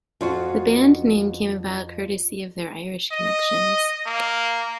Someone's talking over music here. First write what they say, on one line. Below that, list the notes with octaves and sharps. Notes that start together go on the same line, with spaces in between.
The band name came about courtesy of their Irish connections.
F2 F4 F#4
D#5
A#3